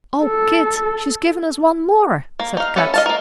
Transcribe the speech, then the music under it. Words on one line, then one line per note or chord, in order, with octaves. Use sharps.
"O Kit, she's given us one more!" said Kat.
A4
A#3
D#4 F5
B3 C#4 A4 B4 E5
D#5 F5 A5
A#3 A#4